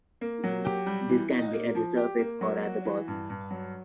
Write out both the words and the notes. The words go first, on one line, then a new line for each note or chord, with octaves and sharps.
This can be at the surface or at the bottom.
A#3
F#3
G4
G3
E3
D#4
A#3
F3
G4
A#3
F#3
F#4
E3
G2
G2
F#3